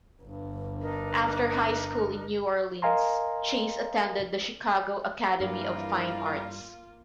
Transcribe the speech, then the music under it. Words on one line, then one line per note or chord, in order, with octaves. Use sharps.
After high school in New Orleans, Chase attended the Chicago Academy of Fine Arts.
G1 G2
D4 D#4 A#4
A#4 D#5 F5 G#5 A#5 C6
G2 E3 G3 A#3 F4 A#4 F5